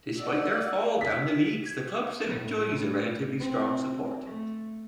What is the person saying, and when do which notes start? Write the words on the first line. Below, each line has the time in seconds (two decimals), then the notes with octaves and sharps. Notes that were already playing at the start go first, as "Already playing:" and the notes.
Despite their fall down the leagues the club still enjoys a relatively strong support.
0.17 D5 D#5 F#5 E6
1.01 B6
2.25 A2
3.39 C4
4.24 A3